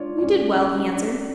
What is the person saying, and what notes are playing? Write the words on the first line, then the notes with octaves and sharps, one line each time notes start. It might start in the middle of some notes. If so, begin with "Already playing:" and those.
"We did well," he answered.
Already playing: D4 F4 C#5 D5
D5
C#4 C#5
C#4 C#5
D4 D5